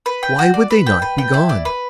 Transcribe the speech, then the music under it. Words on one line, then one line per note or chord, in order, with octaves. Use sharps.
Why would they not be gone?
B4
G5
F#4
D5
B4
G5
B4
G5
E4
D5
B4